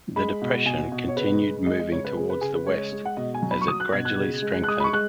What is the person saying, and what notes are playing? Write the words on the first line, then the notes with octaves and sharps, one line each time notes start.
The depression continued moving towards the west as it gradually strengthened.
G#3 B5
B2
B2 G#5
B2
C#5
C#3 B4
G#3
G#3 D#5
D#5
C#3 C#5
B4
C#3 G#4
B4
C#3 G#4
B4
G#3 C#5
G#3
F#5
B2 D#5
G#5
F#3
B5
C#6
F#3 D#6
F#6
B2 G#6
F#6
C#3
G#3
F#6
G#3 D#6
B5
C#6
G#3 F#6